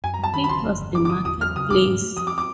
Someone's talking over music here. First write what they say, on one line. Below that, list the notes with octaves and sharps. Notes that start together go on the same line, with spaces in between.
It was a market place.
F#2 G#5
A#5
G3 A5
D#3 B5
B5
F#1 C6
F2
G1
D3 D6
D6
G1 D#6
E2 D#6
F#3 F6
C#3 D#6
E1 D6
G#2
A3
F3 D#6
D6
D6